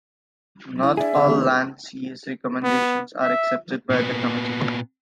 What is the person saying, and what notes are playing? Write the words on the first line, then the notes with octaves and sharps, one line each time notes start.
Not all Landsea's recommendations are accepted by the Committee.
E4 D5
D4 G#4 E5
C#3 C4
D#3 A3 B3 D4 G4
E4 B4
B3
E5
A#2 B3